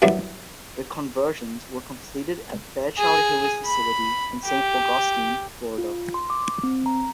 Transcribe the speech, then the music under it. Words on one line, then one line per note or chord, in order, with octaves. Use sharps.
The conversions were completed at Fairchild-Hiller's facility in Saint Augustine, Florida.
F#2 E3 F#3 G3
G#4
B5
G4
F4
C6
D6
C4
A#5